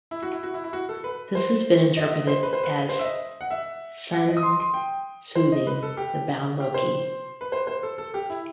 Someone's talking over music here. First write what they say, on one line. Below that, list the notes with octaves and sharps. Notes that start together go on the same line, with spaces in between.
This has been interpreted as Sigyn soothing the bound Loki.
E4
F#4
E4
F#4
E4
E4
F#4
A4
B4
C5
D#5
E5
D#5
C5
B4
C5
B4
C5
E5
D#5
F#5
E5
F#5
D#5
D#6
C6
C6
G5
C5
D#5
B4
A4
G4
G4
C5
B4
C5
C5
A4
A4
G4
E4